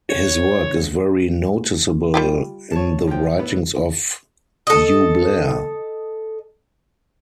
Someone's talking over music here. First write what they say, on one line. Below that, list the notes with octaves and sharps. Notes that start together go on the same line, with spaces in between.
His work is very noticeable in the writings of Hugh Blair.
C#5
G3 F4 G4
C#5 A5
F3 G5
A2 B3
A4 D#5